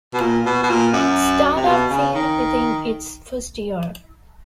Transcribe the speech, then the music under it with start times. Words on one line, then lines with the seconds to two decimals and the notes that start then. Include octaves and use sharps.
The startup failed within its first year.
0.14 B2
0.21 A#2
0.46 B2
0.63 B2
0.70 A#2
0.93 F#2
1.56 C3
1.67 B2
1.90 C#3
2.15 D#3